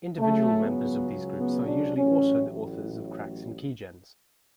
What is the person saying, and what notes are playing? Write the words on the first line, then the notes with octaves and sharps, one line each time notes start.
Individual members of these groups are usually also the authors of cracks and keygens.
C#2 C#3 F#3 A3
B3
B3
D4
A1 A2 F#3 C#4